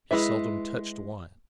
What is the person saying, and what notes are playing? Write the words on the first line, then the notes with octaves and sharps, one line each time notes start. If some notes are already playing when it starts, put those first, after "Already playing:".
He seldom touched wine.
G#3 E4 B4 E5